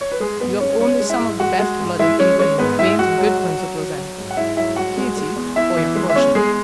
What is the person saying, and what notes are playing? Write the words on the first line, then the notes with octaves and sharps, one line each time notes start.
You have only some of the best blood in England in your veins, and good principles and piety for your portion.
C#5
B4
G#3 G#4
G#2 B3 B4
G#3 C#4 C#5
G#3 C#4 C#5
G#3
E4 E5
G#2
G#3 F#4 F#5
G#3
G#2
G#3 E4 E5
G#3 C#4 C#5
G#3 C#4 C#5
G#2 B3 B4
G#2 E4 E5
G#2 F#4 F#5
F#3
F#3
F#3
F#3
F#3
G#2
F#5
G#2 E4 E5
F#3 E4 E5
G#2 F#4 F#5
G#3
G#3
E2
E2 E4 E5
E3
G#3
E5
E2 C#4 C#5
G#3 G#4